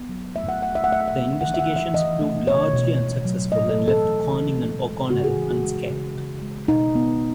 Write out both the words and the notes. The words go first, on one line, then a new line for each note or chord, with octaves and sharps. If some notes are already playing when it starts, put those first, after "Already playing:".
The investigations proved largely unsuccessful and left Corning and O'Connell unscathed.
Already playing: B3
F#3
A3 E5
F#5
A3 F#5
E5
F#5
A3 E5
F#5
E5
A3
E3 F#5
E5
F#5
E3
E5
E3 D#5
A3
B2 C#5
B2
B2
F#3
A3 D#5
A4
E3
A4
A3
E3
G#3
G#3
C#3 F#4
G#4
E3
F#4
G#3
C#3
C#3
G#3
B2 D#4
B3